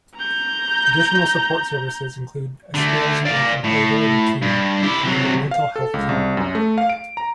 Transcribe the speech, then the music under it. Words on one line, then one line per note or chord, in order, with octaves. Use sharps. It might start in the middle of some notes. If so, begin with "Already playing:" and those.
Additional support services include a Skills and Employability Team and a mental health team.
A#5 G6
D3 A3
D5 F5
A2
G2
E4 G4
C3 F#3
F5
A4
C#2
C2
F#2
A3
F5
D7
A#5